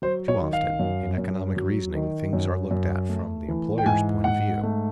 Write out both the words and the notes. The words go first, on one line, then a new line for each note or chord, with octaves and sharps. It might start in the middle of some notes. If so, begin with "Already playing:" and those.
Too often, in economic reasoning, things are looked at from the employer's point of view.
F#3 C5
C#5
D#3
F5
F#2
F#2
F#3
D#3
F#2
F#2
A3
E3
G5
G#2 G#5
G#2 F#5
A3